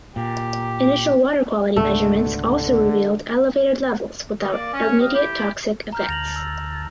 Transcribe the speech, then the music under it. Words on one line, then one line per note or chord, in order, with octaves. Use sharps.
Initial water quality measurements also revealed elevated levels without immediate toxic effects.
A#2 G4
C#2 G#2 B2 D3 A3
B2 D#3 C#4 D#4
A#3 D5
C#4
G4 C5 D#5 F5
A3 E4 G4
A#5 F6 G6
D2 A5 A#6 F7 F#7
E6